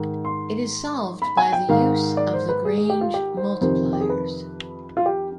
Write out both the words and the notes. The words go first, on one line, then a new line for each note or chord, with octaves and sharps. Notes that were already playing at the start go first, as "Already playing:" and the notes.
It is solved by the use of Lagrange multipliers.
Already playing: G#2 D#3
C6
B5
G#5
G5
G#2 D#3 F5
D5
C5
B4
G#4
G#4
G4
F4
G4
C5
F2 C3 D#3 C5
G4
G#4
B4
F4
G4